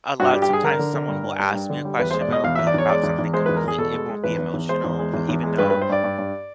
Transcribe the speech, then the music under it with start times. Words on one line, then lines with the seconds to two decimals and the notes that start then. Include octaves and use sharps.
a lot sometimes someone will ask me a question, but it'll be about something complete it won't be emotional, uh, even though
0.20 G2 F#4
0.31 G4
0.34 G3
0.42 G4
0.49 G2 G#4
0.64 D3 A#4
0.79 D3
0.93 D3
1.08 G2
1.24 G2
1.39 G3
1.54 G2
1.70 D3
1.85 G3
1.99 E2 B4
2.11 C5
2.14 G#3
2.21 D5
2.28 B2 D#5
2.44 E2 F5
2.55 E5
2.59 E2
2.67 D5
2.74 E2 C#5
2.89 G#3 D5
3.04 E2
3.19 E2
3.33 G#3 C5
3.46 B4
3.49 E2
3.56 A#4
3.64 E2 G#4
3.78 B2 A4
3.94 G#3
4.09 G#3
4.24 E2 B4
4.38 E2
4.54 E2
4.69 G#3 C5
4.84 E2
4.99 G#3
5.14 E2
5.29 E2
5.43 G#3
5.58 G2 B4
5.70 B4
5.74 G2
5.82 C5
5.89 G2 D5
6.04 G2
6.18 G2